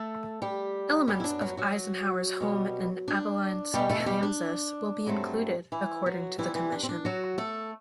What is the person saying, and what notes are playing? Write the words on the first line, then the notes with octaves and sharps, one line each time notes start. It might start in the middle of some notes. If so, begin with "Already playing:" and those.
Elements of Eisenhower's home in Abilene, Kansas will be included, according to the commission.
Already playing: A3 A4
G3 G4
F#2 F#3 G3 B3 G4
E4
D4
F#3 F#4
F#3 F#4
B2 G3 B3
D4
E2 B2 G3 A3 G4
A3 A4
A4
G3 G4
D4
G2 F#3 A3 C4
E3 E4
F#3 F#4
C3 E3 G3 B3 E4
E3 E4
D4
C4
D4
F#3 F#4
A3 A4